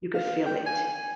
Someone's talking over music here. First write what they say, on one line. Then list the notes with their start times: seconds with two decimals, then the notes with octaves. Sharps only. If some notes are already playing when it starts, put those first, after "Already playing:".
you could feel it.
0.14 F5
0.46 G5
0.66 G#5